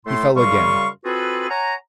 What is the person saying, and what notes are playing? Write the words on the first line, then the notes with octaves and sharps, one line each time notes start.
He fell again.
A2 A3 C6
F#2 C#3 G3 F5 C6 C#6
C4 F4 F#4 G#4 A4 B4
C#5 F#5 G#5 A#5